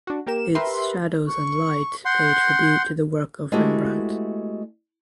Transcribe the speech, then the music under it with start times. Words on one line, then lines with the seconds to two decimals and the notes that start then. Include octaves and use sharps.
Its shadows and light pay tribute to the work of Rembrandt.
0.07 D4 F#4
0.27 A#3 G4 A#4 E7
0.55 G4 A#4 B4 E5 C6
1.27 C#6
2.05 F#5 C6 G6
3.52 G#3 A3 B3 E4 F#4 G4